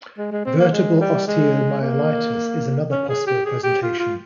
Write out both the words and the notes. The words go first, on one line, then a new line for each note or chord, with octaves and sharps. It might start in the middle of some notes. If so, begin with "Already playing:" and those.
Vertebral osteomyelitis is another possible presentation.
G#3
G#3
C4
A#3
G#3
G3
G#3
A#3
C#4
G#4
G4
G#4
G4
F4
F4